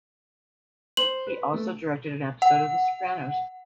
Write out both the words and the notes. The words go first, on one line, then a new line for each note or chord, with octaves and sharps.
He also directed an episode of "The Sopranos".
C5 F#7
B4
A3
F#5